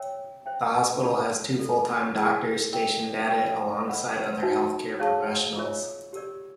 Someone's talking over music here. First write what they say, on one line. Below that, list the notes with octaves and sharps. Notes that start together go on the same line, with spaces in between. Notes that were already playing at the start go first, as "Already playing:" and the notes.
The hospital has two full-time doctors stationed at it, alongside other healthcare professionals.
Already playing: A#4 C#5 E5 G5
C5 E5 G5
F4 A#4 D5 F#5 A5
F4 A4 D5
E4 G#4 B4
A#4 D#5 G5
B4 E5 G5 C6
B4 D#5 F#5 B5
D#4 F#4 B4 E5 G#5
G#4 C#5 F5 A5 C#6
F4 A#4 C#5 E5
G4 A#4 D5